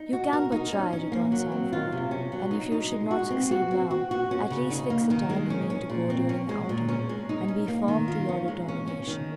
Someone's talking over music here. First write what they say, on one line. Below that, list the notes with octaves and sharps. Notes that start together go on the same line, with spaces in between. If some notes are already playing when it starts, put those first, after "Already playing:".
"You can but try," returned Sandford; "and if you should not succeed now, at least fix the time you mean to go during the autumn, and be firm to your determination."
Already playing: D#4
F#4
A#4
D#4
C#4
C#4
A#3
F#3
C4
F4
C3
C#4
F#3
D#4
D#4
G#3
F#4
C4
F#4
C4
F#4
F#4
C#4
C#3
D#4
A#3
D#3
G#3
C#4
C#4
A#2
C4
C#4
G#3
A#2
C#4
G#3
D#4
C#4
A#3
D#3
F4
C#4
G#3
C#4
C#4
D#3